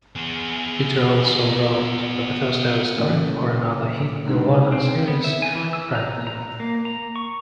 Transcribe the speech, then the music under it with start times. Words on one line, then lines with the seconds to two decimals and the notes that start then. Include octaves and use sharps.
Peter also wrote the first ever story for another hit Nelvana series, "Franklin".
0.16 B3 G#4
2.97 A2 C#3 F#3 A3 A#3
4.26 G#2 D3 D#3
4.72 C4
5.08 B3
5.24 E5
5.42 G#5
5.55 E3
5.73 E6
5.95 A#5
6.27 A#5
6.60 A#3
6.85 A#5
7.16 C#6